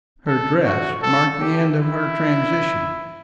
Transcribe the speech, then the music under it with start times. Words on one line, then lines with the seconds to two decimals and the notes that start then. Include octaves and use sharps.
Her dress marked the end of her transition.
0.27 A4
0.65 F#4
1.03 A4
1.41 G4
1.79 E4